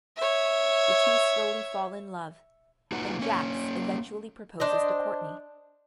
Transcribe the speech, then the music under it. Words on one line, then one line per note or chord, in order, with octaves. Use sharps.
The two slowly fall in love and Jax eventually proposes to Courtney.
C#5 E5
A#3 D#4 F4 F#4 B4 F#5
A#3 C#4 C#5
D4 C5 D#5